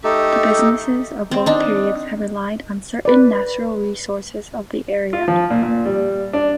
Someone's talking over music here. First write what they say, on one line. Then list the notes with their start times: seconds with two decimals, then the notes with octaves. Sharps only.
The businesses of both periods have relied on certain natural resources of the area.
0.04 A3 D#4 G4 A4
1.31 C4
1.46 D4 D#4
3.05 B4 D5
5.13 F4
5.28 F3
5.50 A#2
5.63 A#2
5.86 G3
6.33 D4